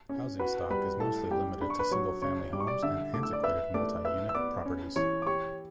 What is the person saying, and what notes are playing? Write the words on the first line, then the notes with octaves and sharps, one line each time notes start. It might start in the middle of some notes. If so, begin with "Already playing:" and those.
Housing stock is mostly limited to single family homes and antiquated multi-unit properties.
C#4
F#4 B4 B5
G3 B4 B5
A2 A4 A5
G3 G4 G5
D4 B5
C#6
B4 B5
F#3 C#5 C#6
C#3 C#5 C#6
G3 D6
C#6
D5 D6
D3 E5 E6
A3 D6
E6
D5 D6
B4 E5 E6
A3 D5 D6
B4 E5 E6
E6
B3 D5 D6
C#4
E3 C#5 C#6
D6
G4 C#5 C#6